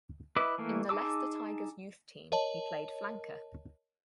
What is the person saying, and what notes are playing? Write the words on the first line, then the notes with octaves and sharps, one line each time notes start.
In the Leicester Tigers youth team, he played flanker.
E4 B4 D#5 E5 D6
E3 A3 A#3
D#4 G#4 A5 D6 E6
A#4 C#5 D#5 A5